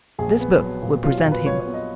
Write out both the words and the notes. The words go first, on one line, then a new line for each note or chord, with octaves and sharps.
This book will present him.
A#1 G#4
B3
F#3
A#2
F#3 F4
F4
A#2
B4
A#2 C#5
C#5
B3
D#5